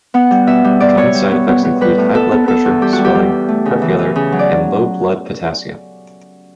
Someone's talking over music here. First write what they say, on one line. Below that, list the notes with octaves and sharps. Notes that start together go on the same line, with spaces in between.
Common side effects include high blood pressure, swelling, heart failure, and low blood potassium.
B3 F#5
G3
B2 E5
G3
B3 D5
B3 C#5
G3
B3
B3
B3
G3 B4
A2
B3 A4
B3
B3 A4
E2
G3 G4
F#4
G3
G4
G3
G3
A3
C#3
E3
E3
C#3
F#3
D5